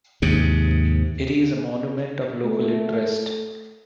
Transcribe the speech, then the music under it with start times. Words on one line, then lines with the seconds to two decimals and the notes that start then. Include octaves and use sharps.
It is a monument of local interest.
0.22 D#2 G#2 C3
2.44 A3